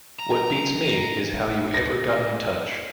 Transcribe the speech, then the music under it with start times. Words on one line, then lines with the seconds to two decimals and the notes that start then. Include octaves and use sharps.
What beats me is how you ever got in touch.
0.19 A#5
1.74 A#6